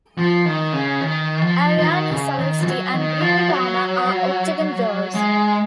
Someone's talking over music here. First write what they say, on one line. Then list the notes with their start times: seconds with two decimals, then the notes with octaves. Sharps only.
Arianny Celeste and Brittney Palmer are Octagon girls.
0.18 F3
0.45 D#3
0.73 C#3
1.01 D#3
1.42 F3
1.78 F3
1.84 D#3
2.11 C#3
2.38 D#3
2.60 F3
2.66 F#3
2.93 D#3
3.21 F3
3.48 F#3
5.14 G#3